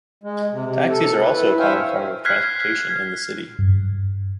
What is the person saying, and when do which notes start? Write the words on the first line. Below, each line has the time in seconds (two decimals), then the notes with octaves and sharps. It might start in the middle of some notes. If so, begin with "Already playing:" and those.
Taxis are also a common form of transportation in the city.
0.23 G#3
0.52 C3
0.66 C3
0.89 A4
1.21 E4 B4
1.59 C5 C#5 E5 F5 G5 G#5
2.25 F6 F#6 G#6 B6 C7
3.59 G2